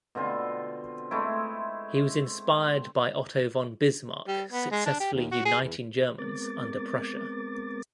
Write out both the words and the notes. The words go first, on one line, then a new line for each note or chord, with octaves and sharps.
He was inspired by Otto von Bismarck successfully uniting Germans under Prussia.
B2 D3 C4 F4
G#3 A3 C4 E4
G3
B3
G#3
D4
G4
D#2
F#4
G#4
E2
G#3 B3 C4 A#4 D6 A6